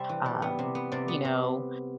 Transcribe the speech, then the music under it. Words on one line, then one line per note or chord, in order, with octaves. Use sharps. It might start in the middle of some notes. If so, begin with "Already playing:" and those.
um, you know,
Already playing: C3 G3 C4 E5
E3
G3
B3
C3
B3
C3 D5
B3
C3